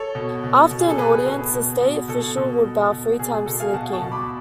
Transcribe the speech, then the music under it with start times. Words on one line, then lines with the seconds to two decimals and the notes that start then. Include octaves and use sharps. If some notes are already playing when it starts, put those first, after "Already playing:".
After an audience, the state official would bow three times to the king.
Already playing: A4 C#5
0.15 B2
0.44 B2
0.71 B2
0.80 G#4
0.90 A4
0.98 B2 G#4 B4
1.26 B2
1.54 B2
1.82 B2
2.08 B2 A4
2.37 B2
2.64 B2
2.92 B2
3.19 B2 G#4
3.34 G#4
3.46 B2 A4
3.60 F5 G#5
3.74 B2 F#5 A5
3.93 A5 C#6
4.02 B2
4.12 B5 D6